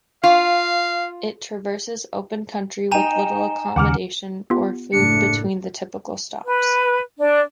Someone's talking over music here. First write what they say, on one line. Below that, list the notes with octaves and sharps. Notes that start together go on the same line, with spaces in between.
It traverses open country with little accommodation or food between the typical stops.
F4 F5
D#4 G5 G#5 A#5 E7
D#2 C#3 F#5 D6 F6
B3 F4 G4
F#1 A2 A3 D4 C#7
B4
D4